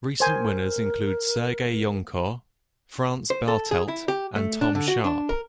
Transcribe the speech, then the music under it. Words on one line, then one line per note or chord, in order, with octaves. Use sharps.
Recent winners include Serge Joncour, Franz Bartelt and Tom Sharpe.
A#4 C5 G#5
C5
A4
G#4
E4
G4
A3
D4
D3
F#4
D4
A#4